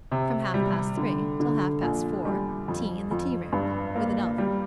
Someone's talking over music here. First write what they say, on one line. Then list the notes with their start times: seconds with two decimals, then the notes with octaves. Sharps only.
From half past three till half past four tea in the tearoom, with a novel.
0.12 C3
0.54 G3
0.97 D3
1.40 D3
1.82 A#1
2.25 G3
2.68 F2
3.11 F2
3.53 G2
3.96 A#3
4.38 G3